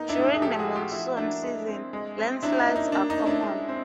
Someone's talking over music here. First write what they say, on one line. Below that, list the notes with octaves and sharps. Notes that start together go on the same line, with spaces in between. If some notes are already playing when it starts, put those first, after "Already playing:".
During the monsoon season, landslides are common.
Already playing: A#3 B3 D#4
D4 E4
A2
D4 E4
G#4
F3 G4 A4
F#4 G#4
A3
F4 G4
F3 E4 F#4
A#3 D4 E4
G#3
C4
G#3
C4
F#3 D4 E4
D#4
A#3
D#4
A#3 D4
D#4
C#4
D4 E4
G#3
C4